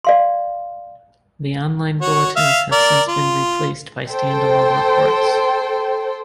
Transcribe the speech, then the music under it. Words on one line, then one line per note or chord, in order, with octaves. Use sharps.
The online bulletins have since been replaced by stand-alone reports.
D5 F5 C6
F#4 C#5
E5 F5
A#4 D5
F4
A4 C5 G5